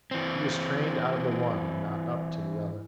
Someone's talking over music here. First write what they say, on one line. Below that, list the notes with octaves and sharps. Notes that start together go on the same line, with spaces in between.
He was trained out of the one and not up to the other.
E3 C4